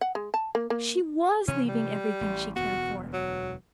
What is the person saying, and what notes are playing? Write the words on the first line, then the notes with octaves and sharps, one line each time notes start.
She WAS leaving everything she cared for.
F#5
G#3
A5
A#3
A#3
C3 E3 F3 C#4
G3
A1
E1 D2 B3 F#4
F#3